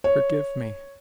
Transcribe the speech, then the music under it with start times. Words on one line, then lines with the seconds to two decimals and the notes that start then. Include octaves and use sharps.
"Forgive me!"
0.04 C#5